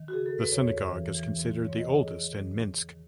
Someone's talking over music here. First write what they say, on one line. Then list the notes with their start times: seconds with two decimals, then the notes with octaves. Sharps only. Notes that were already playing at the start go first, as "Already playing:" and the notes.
The synagogue is considered the oldest in Minsk.
Already playing: D#3
0.08 F#4
0.13 C#3 G#4
0.26 A4
0.39 E2 B4
0.52 C#5
0.63 E2 C#5
0.89 E3
1.15 E3
1.39 G#2
1.65 G#2 C#5
1.78 D#5
1.90 G#2 C#5
2.03 G#4
2.15 E2
2.42 C#3
2.66 E2
2.92 D#3